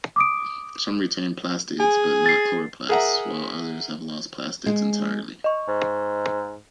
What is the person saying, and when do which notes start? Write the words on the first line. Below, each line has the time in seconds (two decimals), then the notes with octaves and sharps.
Some retain plastids, but not chloroplasts, while others have lost plastids entirely.
0.16 D6 D#6 D7
1.80 G#4 G#5
2.26 A6 C7
2.89 G#4 A#4 E5 F#5 A#5
4.66 G#3
5.44 D#5 C#6
5.68 G#2